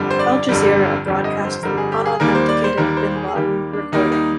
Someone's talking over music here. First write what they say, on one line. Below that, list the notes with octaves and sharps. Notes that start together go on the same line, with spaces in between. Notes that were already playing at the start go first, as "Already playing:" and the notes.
Al Jazeera broadcast the unauthenticated bin Laden recording.
Already playing: G1 F2 D3 G3
C5
D5
G1 F2 D3 G3
G1 F2 D3 G3
D#5
C5
G1 F2 D3 G3 A#4
G#4
G4
G#4
D#2 D#3 G3 A#3 A#4
C5
D5
C5
D#2 D#3 G3 A#3 A#4
C5
G#4
G#4
D#2 D#3 G3 A#3 G4
D4
D#2 D#3 G3 A#3 D#4
D#4